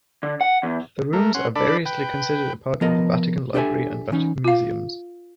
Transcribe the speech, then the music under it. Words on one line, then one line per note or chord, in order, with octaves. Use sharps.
The rooms are variously considered a part of the Vatican Library and Vatican Museums.
D3
F#5
E2
A3 A#4
C#4 F#5 C6
D4 A4 D5 B5
B4 G5
F3 B3 A#4 D#5
D4 G4 A4 B4 E5 G#5
E3 C#4 D#4
F4 F5